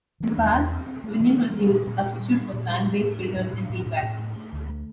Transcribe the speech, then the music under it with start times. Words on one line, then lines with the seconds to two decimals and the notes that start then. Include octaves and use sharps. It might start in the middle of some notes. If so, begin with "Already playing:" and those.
In the past, Vinyon was used a substitute for plant-based filters in tea bags.
0.20 E3
0.37 E2
0.54 E2
0.71 C4
0.86 C4
1.04 A3
1.20 E3
1.36 E3
1.54 G3
1.70 A#2
1.87 A#2
2.03 A#2
2.20 G3
2.37 D4
2.53 A#2
2.69 G3
2.87 G3
3.03 A2
3.19 G3
3.37 A2
3.53 A2
3.70 A2
3.86 A2
4.03 A2
4.19 A3
4.36 A3
4.53 D2
4.69 A3